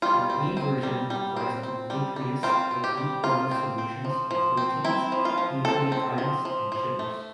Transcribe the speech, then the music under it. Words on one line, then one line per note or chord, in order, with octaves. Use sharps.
The A-version applies to aqueous or apolar solutions of proteins, nucleotides, and sugars.
G3 F4
C4
C4
G3
G3
C4
C4
G3
G3
C4 F4
C4
G4
G3
F3 F4
C4
C4
F3
F3
C4
C4 E4
F3
F4
F3
C4 A4
C4
F3
F3
F3
A3